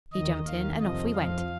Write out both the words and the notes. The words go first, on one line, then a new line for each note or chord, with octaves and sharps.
He jumped in and off we went.
D#2 D#3 D#5
D#2 D#3 F5
F2 C3 F3 D#5
F2 F3 F5